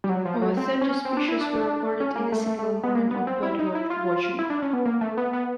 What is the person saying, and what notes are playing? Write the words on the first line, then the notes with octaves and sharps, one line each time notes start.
Over thirty species were recorded in a single morning of bird watching.
G3
F#3
F3
F#3
C4
C#4
C4
D4
E4
D4
C#4
A#3
A3
A3
A3
B3
A#3
B3
C4
E4
D#4
E4
F4
E4
D4
C#4
B3
A#3
A3
B3
B3